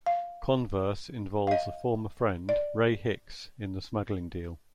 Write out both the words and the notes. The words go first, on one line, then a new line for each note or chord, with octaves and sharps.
Converse involves a former friend, Ray Hicks, in the smuggling deal.
F5
F5
D#5
D5